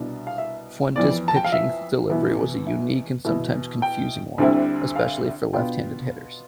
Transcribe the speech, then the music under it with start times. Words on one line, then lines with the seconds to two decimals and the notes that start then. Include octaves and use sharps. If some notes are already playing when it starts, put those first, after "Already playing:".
Fuentes' pitching delivery was a unique and sometimes confusing one, especially for left-handed hitters.
Already playing: C2 B2 B3 D4
0.27 F5
0.38 E5
0.95 F2 E3 B3 D5
1.28 A5
1.36 G5
1.45 F5
1.52 E5
2.10 E2 B2 B3 E4
2.67 E5
3.25 E2 B2 B3 E4
3.82 G5
4.38 D2 D3 G3 C4 E4
4.96 F5
5.53 B2 B3 D4 F4 G5